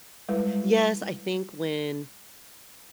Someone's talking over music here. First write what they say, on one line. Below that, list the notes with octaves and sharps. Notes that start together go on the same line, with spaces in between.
Yes, I think when,
G3 G#3 E4 B4